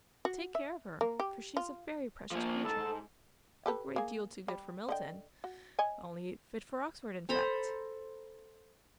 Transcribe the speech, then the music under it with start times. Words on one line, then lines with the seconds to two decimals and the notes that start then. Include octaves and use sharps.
Take care of her, for she is a very precious creature,--a great deal too good for Milton,--only fit for Oxford, in fact.
0.25 F#4
0.55 E5
1.01 A#3
1.20 G4
1.57 F4
2.32 F3 A#3
2.64 C#2 G#2 A4 A5
3.66 G4 A4 B4
3.96 A#3 G#4
4.48 G3
4.89 D3 D#5 G5
5.44 F#4
5.79 C#5 D#5 G#5
7.29 A4 C5 A#5 B5